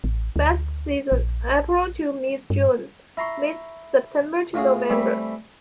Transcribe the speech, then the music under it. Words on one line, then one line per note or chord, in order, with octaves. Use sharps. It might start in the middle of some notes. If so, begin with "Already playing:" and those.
Best Season: April to Mid-June; Mid-September to November.
A1
D2
A#1
G2
E4 A#5 C6 C#6
A2 F4 F#4 G#4
E3 G3 A3 C4 E4